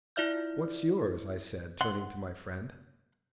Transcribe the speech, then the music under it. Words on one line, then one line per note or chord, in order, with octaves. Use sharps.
"What's yours?" I said, turning to my friend.
E4 F4 D5 E5 F6 G6
F#5 C6